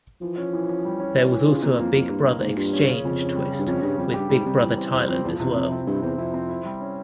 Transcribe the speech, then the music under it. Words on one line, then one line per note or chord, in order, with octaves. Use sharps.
There was also a "Big Brother Exchange" twist with Big Brother Thailand as well.
E3 F3
C#4
E3
C#4
G3
C#4
E3
E3
C#3 F4
C3 A#3
F2 A#3
F2 A#3
G2 A#3
A#3
G#2 A#3
G2 F4
C#4
C#3
F2 C#3
C#4
G3
C#3
G2
F2 C#4
G2 C#3
F2 G3
F2
G4
G2
G#2 G3
C3 G3
F2 E3
C4
E2 C4
F2 C4
E2 F3
E2 C3
F2 E4
C4
G2 E4
E2 C4
F2 E4
C4
E4
G3
C#4